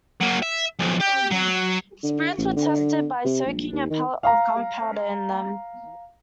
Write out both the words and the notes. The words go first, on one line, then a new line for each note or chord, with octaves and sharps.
Spirits were tested by soaking a pellet of gunpowder in them.
F#3 A#3
E5
B1 F2
G4
F#3
D3
A1
D3
C3
A#1
D#2
D#3
F5 A#5